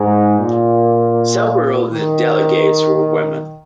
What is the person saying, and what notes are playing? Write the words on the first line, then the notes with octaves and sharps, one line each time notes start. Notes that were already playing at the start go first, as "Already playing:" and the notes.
Several of the delegates were women.
Already playing: G#2
A#2
D#3